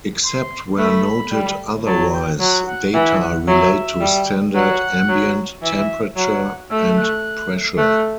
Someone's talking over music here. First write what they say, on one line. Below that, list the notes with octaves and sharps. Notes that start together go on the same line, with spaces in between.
Except where noted otherwise, data relate to standard ambient temperature and pressure.
C6
A3 B5
G3
F#3 A5
G5
F#3 F#5
F#5
E3 F#5
F#5
F#3 E5
G3
F#3 F#5
F#3
E3 E5
F#3 F#5
A3 E6
F#6
A3 F#6